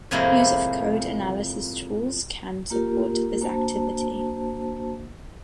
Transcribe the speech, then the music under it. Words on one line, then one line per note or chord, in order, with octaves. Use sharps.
Use of code analysis tools can support this activity.
F2 A2 C3 G#3 A#3 E4
A#3 F4 G4 A#4
A#3 D4 F#4 C5 A5